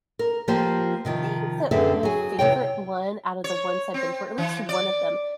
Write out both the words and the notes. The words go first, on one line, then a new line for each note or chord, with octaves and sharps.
think that my favorite one, out of the ones I've been to or at least one of them,
A#4
F3 A#3 F4 G4 C5
C3 D#3 F3
F#2 D3 C4 G#4 B4 E5
F#3 G#4
E2 C3 C#5 G5
C#5
C4
E3
D5